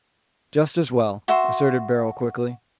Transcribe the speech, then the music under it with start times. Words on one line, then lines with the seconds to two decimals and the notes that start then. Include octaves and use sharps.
"Just as well," asserted Beryl, quickly.
1.28 F#4 E5 C6